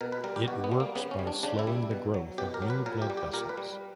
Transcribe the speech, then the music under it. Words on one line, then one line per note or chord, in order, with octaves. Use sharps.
It works by slowing the growth of new blood vessels.
B2 A#4
B4
G3 A#4
G4
B2 F#4
B3
G3
A#3
C#3 B3
C#4
G3
D4
C#3 D4
E4
G3
B2
F#3
B2 G4
A#4
F#3
B4
A#2 A#4
G4
G3
G4
A#2 A#4
B4
G3